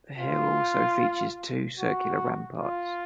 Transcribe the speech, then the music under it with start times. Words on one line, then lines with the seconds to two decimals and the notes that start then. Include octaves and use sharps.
The hill also features two circular ramparts.
0.17 F4
1.78 F#4
2.57 F4